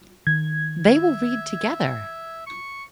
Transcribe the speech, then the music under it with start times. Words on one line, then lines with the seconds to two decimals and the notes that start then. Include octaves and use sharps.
They will read together.
0.27 D#3 G#6
0.95 E5
2.46 C#6